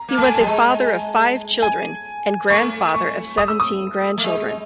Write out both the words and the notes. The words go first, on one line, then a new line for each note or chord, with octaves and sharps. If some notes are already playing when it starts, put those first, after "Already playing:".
He was a father of five children and grandfather of seventeen grandchildren.
Already playing: A#5
A#3
A3 A5
G#5
A5
G3
G#3 A5
G#5
A3 C#6
C#6
D#6
E6
D#6
A3
G#3